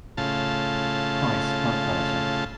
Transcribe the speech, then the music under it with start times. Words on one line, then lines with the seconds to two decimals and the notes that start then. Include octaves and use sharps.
Price, plant manager.
0.17 A2 C#3 F4 A5